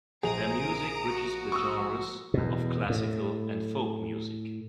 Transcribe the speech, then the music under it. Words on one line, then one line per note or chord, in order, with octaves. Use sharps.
Their music bridges the genres of classical and folk music.
A#1 G#4 A#5 D#6 D7 F7
F#4
C#6 D#6 E6
E2 B2
A2